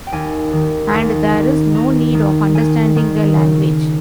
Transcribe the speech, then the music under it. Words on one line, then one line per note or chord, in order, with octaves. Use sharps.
And there is no need of understanding the language.
G5
D#2 G#5
D#3
D#2
D#3
D#3 A#5
D#3
D#3 G#5
D#3
C#3